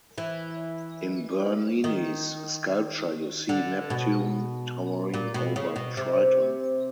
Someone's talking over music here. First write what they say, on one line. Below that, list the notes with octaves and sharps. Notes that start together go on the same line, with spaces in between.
In Bernini's sculpture, you see Neptune towering over Triton.
E3
D#3
D3
B2
A#2
B2
C#3
B2
C3